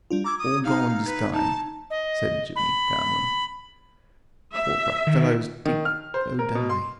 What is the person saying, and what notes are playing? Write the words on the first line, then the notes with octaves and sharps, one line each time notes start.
All gone dis time," said Jimmy calmly. "Poor black fellows tink go die.
G3 D4 F4
A#5 D6 E6 G#6
D#6
D#4 F5
B4
D#4 A5
D#5
B5
E5
D#3
D#3
F6
C5
A#4
B2
C6